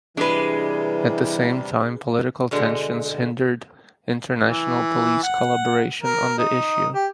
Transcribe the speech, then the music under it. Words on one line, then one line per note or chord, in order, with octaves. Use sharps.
At the same time political tensions hindered international police collaboration on the issue.
C3 E3 G3 G#3 D4 B4
B2 D3 G#3
E3
F#5
A#4
D#4
G4